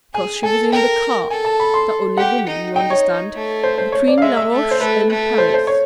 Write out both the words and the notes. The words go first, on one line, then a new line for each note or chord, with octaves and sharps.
"Because she was in the car--the only woman, you understand--between Laroche and Paris."
G#4 G#5
A4 G#5
A#4 G5
A4 G#5
A5
B5
C6
G4 F#5
D#4
D#4 G5
C#5
A3
C5
C5
C#5
D5
F5
G#3 E5
E5
A3
C5
A3 B4
A3
C5
C5
C#5